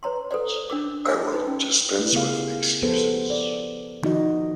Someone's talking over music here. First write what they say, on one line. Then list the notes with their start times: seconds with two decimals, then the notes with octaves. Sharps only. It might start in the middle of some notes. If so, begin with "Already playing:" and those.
I will dispense with excuses.
0.03 B4 C#5 A#5 C6
0.31 A4 B4 C5 D5
0.70 D4 A#4 D6
1.09 G#5 D6
1.33 D#4 B4
1.47 C#4
1.99 A3 E4
2.13 C#3 B3 G4 G#4 A#4 F5
2.82 F3 B3 G4 A4 B4 C5
3.30 D5
4.03 D#3 F3 D#4 F#4 D#5